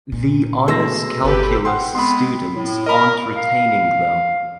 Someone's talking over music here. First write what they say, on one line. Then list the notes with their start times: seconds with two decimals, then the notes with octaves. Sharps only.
The honors calculus students aren’t retaining though.
0.12 A#2
0.68 B2 G#3 A3 C6 E6 A#6
1.24 G1 G4 A4 B4
1.65 F#5 G5 C6
1.95 G#3 B3 C4 B5 C6
2.55 A2
2.86 A#4 D#5 B5
3.36 F5